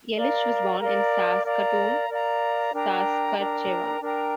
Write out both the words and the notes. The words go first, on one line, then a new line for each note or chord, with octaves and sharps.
Yelich was born in Saskatoon, Saskatchewan.
A#4 D5 F5 A#5
A#4 D5 F5 A#5
A#4 D5 F5 A#5
A#4 D5 F5 A#5
D4 A#4 G5 A#5
D4 A#4 G5 A#5
D4 A#4 G5 A#5